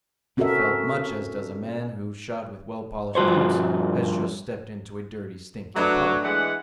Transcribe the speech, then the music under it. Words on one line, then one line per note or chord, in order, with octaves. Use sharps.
He felt much as does a man who, shod with well-polished boots, has just stepped into a dirty, stinking puddle.
C4 C#4 F#4 A4 A#4 E5
G2 F3 F#4 C5 C#5
F#3 A3 D4 B4
E3 G#3 F#5